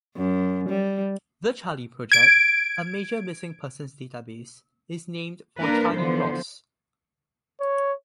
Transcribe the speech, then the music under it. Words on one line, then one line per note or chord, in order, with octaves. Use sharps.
The Charley Project, a major missing persons database, is named for Charley Ross.
F#2
G3
G#6 D7
A#3 D4 A#4 B4
D3 E3 F3 B3 C5
C#5